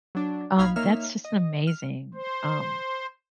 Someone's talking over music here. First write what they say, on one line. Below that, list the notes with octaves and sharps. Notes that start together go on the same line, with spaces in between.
um, that's just an amazing, um,
F#3 D4
A#1 D#4 F5 B5 F6 G#6
A#3 D#4 C#5 E5 F6
D#5
F6
C5